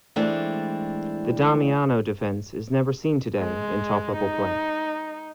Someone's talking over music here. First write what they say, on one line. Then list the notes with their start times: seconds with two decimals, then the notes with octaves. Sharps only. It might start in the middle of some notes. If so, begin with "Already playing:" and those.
The Damiano Defence is never seen today in top-level play.
0.16 E3 G#3 A3 C4 D4 E4
3.38 G#3
4.16 D#4